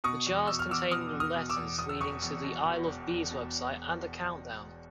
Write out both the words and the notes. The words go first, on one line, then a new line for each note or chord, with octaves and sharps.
The jars contained letters leading to the I Love Bees website and a countdown.
B2 C#6 D#6
E2
B2 E6
F6
E2 D6 E6
B2 D#6 F6
E2
D#6 F6
B2
D6 E6
E2
E1 D#6
E6
E1 C#6 D#6
E2
B2
E1
E1
E2
B2